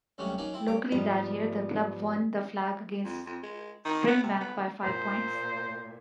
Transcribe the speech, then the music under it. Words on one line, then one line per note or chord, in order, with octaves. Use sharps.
Locally that year the club won the flag against Springbank by five points.
C#2 A2 C3 F#3 G3 C#4
F#3 A#3 C#4 D#4
C4 E4
G2 C#5 D6
G#2 F3 G3 B3
F2
F2
G#3
D#3
B3
C3
B3
A#2 C5